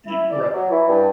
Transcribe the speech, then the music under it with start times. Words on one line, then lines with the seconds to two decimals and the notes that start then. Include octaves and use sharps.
Ye right.
0.07 E4
0.31 D5
0.53 F#3
0.70 E3
0.88 G2